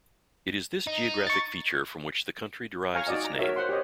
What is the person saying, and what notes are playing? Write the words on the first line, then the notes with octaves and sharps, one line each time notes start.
It is this geographic feature from which the county derives its name.
D#4
C#6 A6
F5 G#5 A#5 C#6
D#4 F#4 D5 D#5 G#5
A#5
F#4 A#4 C#5 E5
C5 F#5 C6
G4 C5 C#5 D#5